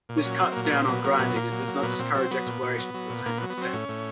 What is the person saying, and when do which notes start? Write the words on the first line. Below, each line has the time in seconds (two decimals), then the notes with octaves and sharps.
This cuts down on grinding and does not discourage exploration to the same extent.
0.09 A#2
0.17 C#4
0.25 F#3
0.40 F#3 C4
0.52 A#3
0.56 A#2
0.65 A#3
0.73 A#2 C4
0.88 F#3 B3
1.04 F#3 A#3
1.19 A#2 B3
1.35 A#2 A#3
1.52 F#3
1.68 F#3
1.83 A#2 B3
1.99 A#2 C4
2.14 F#3 C4
2.31 F#3 B3
2.46 A#2
2.62 A#2
2.78 F#3
2.94 F#3
3.10 A#2
3.25 A#2 A#3
3.38 B3
3.42 F#3
3.50 B3
3.57 F#3 C4
3.73 A2 C#4
3.89 A2